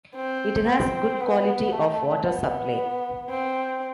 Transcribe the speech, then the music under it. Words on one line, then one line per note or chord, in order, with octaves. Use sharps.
It has good quality of Water Supply.
C4
C4
B3
A3
B3
C4